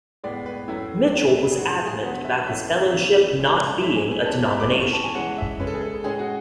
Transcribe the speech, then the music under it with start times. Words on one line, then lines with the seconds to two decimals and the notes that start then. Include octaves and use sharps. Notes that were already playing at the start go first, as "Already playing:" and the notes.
Mitchell was adamant about his fellowship not being a denomination.
0.24 A2 G#3 B3 D5
0.46 B4
0.68 A2 F#3 A3 C#4 E4
1.13 A2 F#3 A3 C#4
1.52 G#4
1.57 A2 E3 G#3 F#4
1.87 G#4
2.02 D3 F#3 B3 F#4
2.25 E5
2.47 A2 E3 A3 C#4 E5
2.91 C#3 E3 B3
3.37 A2 G#3 C#4
3.81 E3 G#3 C#4 E5
3.96 G#5
4.11 G#5
4.26 E3 G#3 C#4 A5
4.48 B5
4.60 D6
4.71 C#3 E3 B3 C#6
4.81 C#6
4.93 A5
5.04 G#5
5.15 E3 G#3 C#4 F#5
5.38 E5
5.60 C#3 G#3 C#4 B4
5.67 A4
5.74 G#4
5.81 A4
6.04 A2 G#3 C#4 G#4
6.19 F#4